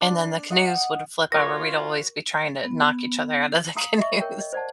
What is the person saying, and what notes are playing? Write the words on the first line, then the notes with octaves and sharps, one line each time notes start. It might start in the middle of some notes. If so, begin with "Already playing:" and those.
and then the canoes would flip over. We'd always be trying to knock each other out of the canoes
D4
D#5 F#5
F4 F#4 A#4 C#5 C#6 A#6
B3
F5 A#5 D#6
D#5 E5 C#6
A#4 C#5 G5
D#5
C5 D5 F#5 A5